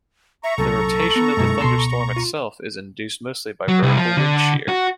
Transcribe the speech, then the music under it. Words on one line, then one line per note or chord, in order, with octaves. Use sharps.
The rotation of the thunderstorm itself is induced mostly by vertical wind shear.
E5 A#5 C#6
C2 F#2 A#2 A4
B3
F#2 B2 G#3 A#3 E4
C#2 B2 A5 C6
F4
F#3
C2
F3
D3
F#4